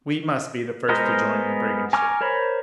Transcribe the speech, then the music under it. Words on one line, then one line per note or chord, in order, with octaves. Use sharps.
We must be the first to join the brigand ship.
G#3 B3 A#4 C5 D#5
G#5 A#5 C#6 D6 F6
A#4 C5 C#5 B5